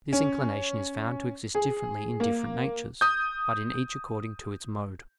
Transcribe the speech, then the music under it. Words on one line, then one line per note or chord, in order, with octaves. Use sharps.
This inclination is found to exist differently in different natures; but in each according to its mode.
C#4
G#4
A#3
D#6 G6